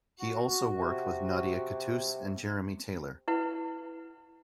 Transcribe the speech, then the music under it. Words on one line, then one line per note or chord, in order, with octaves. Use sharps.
He also worked with Nadia Cattouse and Jeremy Taylor.
F#4
C3
E4 B4 F#5